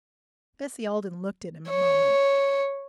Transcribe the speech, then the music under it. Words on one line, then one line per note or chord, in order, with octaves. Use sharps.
Bessie Alden looked at him a moment.
C#5